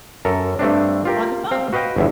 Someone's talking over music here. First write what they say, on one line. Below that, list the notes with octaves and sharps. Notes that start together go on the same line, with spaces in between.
on the phone.
F#2 A4 A#4
G2 A3 C4 D4
F4 G4 A#4
C4 F5
F#4 B4 D#5 F5 G5
G1 E2 E5